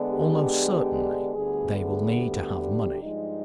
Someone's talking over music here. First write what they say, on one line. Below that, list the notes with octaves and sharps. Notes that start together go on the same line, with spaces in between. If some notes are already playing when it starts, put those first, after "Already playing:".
Almost certainly they will need to have money.
Already playing: D3 G#3 B3 D4
G4
D2 D3 G3 B3 G#4
G#4
G4
G2 F3 G#3 D#4